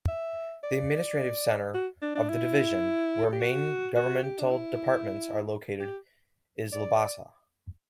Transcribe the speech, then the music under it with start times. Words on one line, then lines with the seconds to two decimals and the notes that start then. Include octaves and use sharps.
The administrative centre of the Division, where main governmental departments are located, is Labasa.
0.08 E5
0.63 D5
1.74 F#4
2.02 D4
2.15 D4
2.29 E4
3.25 A4
3.32 G4
3.41 F#4
3.96 F#4
4.23 G4
4.40 D4
4.51 E4
5.80 G4
6.72 D5